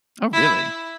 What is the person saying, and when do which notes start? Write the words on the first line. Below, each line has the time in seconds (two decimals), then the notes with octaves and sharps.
Oh, really?
0.33 E4